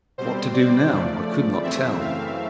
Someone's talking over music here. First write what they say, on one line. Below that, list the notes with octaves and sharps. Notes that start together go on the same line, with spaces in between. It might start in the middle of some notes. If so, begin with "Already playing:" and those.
What to do now, I could not tell.
B2 G3 C4 C5
D5
C#3 F3 A3
F#2 C#3 E3 A3 C4 E5
F5